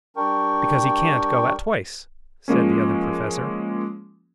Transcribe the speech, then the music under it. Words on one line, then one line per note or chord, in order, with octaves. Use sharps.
"Because he can't go at twice," said the Other Professor.
G3 D4 A#4 G5 C#6
F3 G#3 A#3 C#4